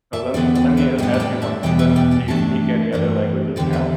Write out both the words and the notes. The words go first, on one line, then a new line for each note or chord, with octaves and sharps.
Oh, let me let me a ask you one quick question, do you speak any other languages now?
E5 A5
E2 D3 B3 D5 G5
D5 G5
B4 E5
A2 G3 B3 D4 D5 G5
A5
D5 G5
E5 A5
E2 B2 G3 B3 D5 G5
B4 E5
D5 G5
D5 G5
G2 E3 A3 D4 E5 A5
G2 E3 A3 D4
E2 D3 G3 D5 G5
B4 E5